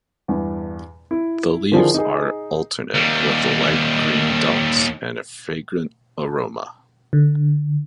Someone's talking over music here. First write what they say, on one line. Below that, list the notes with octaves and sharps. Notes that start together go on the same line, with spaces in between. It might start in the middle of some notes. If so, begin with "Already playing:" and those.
The leaves are alternate, with light green dots and a fragrant aroma.
E2 G2
E4
D3 D#3 F3 D4 E4 G#4
D#4 G#4
D#2 G3
D3